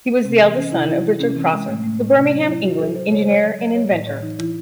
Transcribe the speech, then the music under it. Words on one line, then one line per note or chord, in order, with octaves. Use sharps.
He was the eldest son of Richard Prosser, the Birmingham, England, engineer and inventor.
C3 C4
E3
E3 C#4
C3 E4
D#4
E3 E4
E3
C3 C#4
C#4
E3 C4
E3 G#3
A2 A3
A2 A3
A2
C3 C#4
F#3 C#4
F#3 E4
F#3 F#4
F#3 A4
F#3 C5
C#3 C#5
C5
F#3 C#5
F#3 D#5
F#3
F#3 C#5
A2 D#5
A2 C#5
E3 D#4
E3 E4